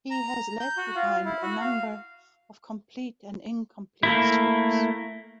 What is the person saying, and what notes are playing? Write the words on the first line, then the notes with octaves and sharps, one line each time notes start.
He has left behind a number of complete and incomplete scripts.
A#5
G6
F#4
F4
E4
F#4
F5
A3 A#3 E4